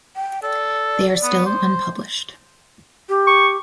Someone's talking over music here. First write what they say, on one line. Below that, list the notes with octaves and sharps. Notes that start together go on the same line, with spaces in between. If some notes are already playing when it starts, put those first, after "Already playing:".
They are still unpublished.
G5
A4 D5
B3
C5
G4
C#6